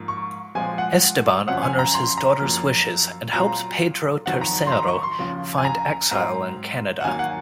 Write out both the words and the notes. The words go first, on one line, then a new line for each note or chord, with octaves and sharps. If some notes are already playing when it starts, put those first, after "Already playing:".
Esteban honours his daughter's wishes and helps Pedro Tercero find exile in Canada.
Already playing: G#2 F3 A#3
C#6
A#2 F3 G#3 C4 G#5
F#5
F2 C#3 F#3 C4 F#5
G#5
A#5
C6
A#5
F#2 F3 A#3
A#2 F#3 C4 A#5
F2 D#3 F#3 C4 F#5
A#5
C6
A#5
C#6
C6
D#2 C#3 F3
G#5
A#5
G#2 F#3 C4 A#5
F#5
D#2 D#3 F#3 A#3 G#5
F#5